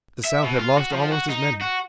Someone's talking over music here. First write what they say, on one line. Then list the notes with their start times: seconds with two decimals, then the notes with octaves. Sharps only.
The South had lost almost as many.
0.25 E5
0.44 B2
0.59 F4
0.78 F#4
0.93 F3
1.12 F#4
1.30 D#4
1.62 F#4